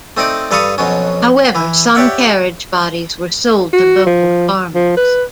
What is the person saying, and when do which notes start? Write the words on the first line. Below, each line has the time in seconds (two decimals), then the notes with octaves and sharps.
However, some carriage bodies were sold to local farmers.
0.17 A3 C4 D#4 D5 D6
0.51 G2 A4 B4 F5 C#6 D#6
0.78 F2 B2 F#3 C#4
1.55 E3 E4
1.95 G4 C#5 D5 E5 F#5
3.73 F#4
4.07 F3
4.75 F3
4.97 B4